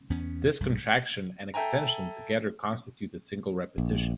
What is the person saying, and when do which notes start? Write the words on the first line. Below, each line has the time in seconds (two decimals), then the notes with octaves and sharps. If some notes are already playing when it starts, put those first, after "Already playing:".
This contraction and extension together constitute a single repetition.
0.10 E2 B3 C#4
0.60 B1 G2
1.54 A4 E5 G5 G#5 A#5
3.78 A#1